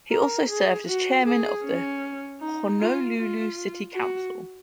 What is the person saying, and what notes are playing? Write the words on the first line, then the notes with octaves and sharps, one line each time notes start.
He also served as chairman of the Honolulu City Council.
A#4
G#4
F#4
G#4
C#4
D#4
F4
F4
F#4